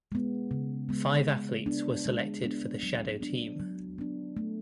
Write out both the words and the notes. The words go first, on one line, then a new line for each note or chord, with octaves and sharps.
Five athletes were selected for the shadow team.
G#3 B3
C#3
G#3 B3
G#3
B3 D4
G#3
B3 D4
F#3
B3 D4
F#3
B3 D4
A3